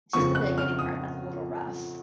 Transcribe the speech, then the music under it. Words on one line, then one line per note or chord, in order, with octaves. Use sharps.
Just the beginning part that's a little rough.
F2 C#3 F3 C4 C#6
F#6
F6
D#6